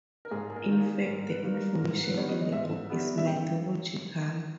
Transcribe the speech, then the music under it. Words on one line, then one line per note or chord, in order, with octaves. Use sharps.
In fact the information in the book is mythological.
A#4
G#2 G#4
G#4
A#4
D#3 G3 A#3 D#4
G#4
G#2 A#4
A#4
B4
D#3 G3 A#3 D#4
A#4
G#2 A#4
B4
D#3 G3 B3 C#5
D#5
D#5
G#2 E5
D#3 G3 B3
E5
C#3 G5